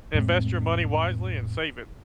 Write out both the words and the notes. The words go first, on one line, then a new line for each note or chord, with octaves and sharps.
invest your money wisely and save it.
F2 A2 G#3 C4